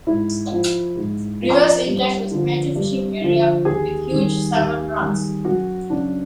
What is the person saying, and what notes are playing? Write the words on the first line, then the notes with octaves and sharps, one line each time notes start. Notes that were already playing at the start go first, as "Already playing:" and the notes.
Rivers Inlet was a major fishing area with huge salmon runs.
G#2 E4
F3
G#2
F3
G2
D3 F3
G2
D3 F3
D#2 G#4
D#3 G3
D#2
D#3 G3
F#2 F#4
C#3 F#3 D4